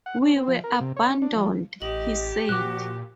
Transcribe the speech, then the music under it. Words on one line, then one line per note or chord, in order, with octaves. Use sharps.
"We were abandoned," he said.
F#5
C#4
C4
F3
A#4
C3
C#5
C#4
D4
F3
A1 G4 D#5 F#7
A#2 F3 F#4 D6 F#6